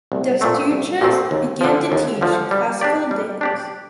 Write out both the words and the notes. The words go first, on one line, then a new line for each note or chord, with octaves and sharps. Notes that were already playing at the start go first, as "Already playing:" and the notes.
Destouches began to teach classical dance.
C2
A#2 A3 C4
C2
A#2 A3 C4
D#2
D3 F3
D#2
D3 F3
G3
D4 G4 D5
G3
D4 G4 D5